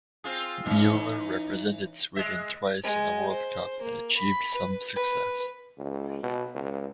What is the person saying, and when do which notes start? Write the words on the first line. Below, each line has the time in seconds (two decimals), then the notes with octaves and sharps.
Mueller represented Sweden twice in the World Cup and achieved some success.
0.24 C4 F4 G#4
0.66 E3 C#4 D#4
2.16 G#3 E5
2.83 G#3
3.33 C5
3.82 A#3
4.17 B5
4.54 B4
4.96 B4
5.78 C#2
6.23 B2
6.55 C#2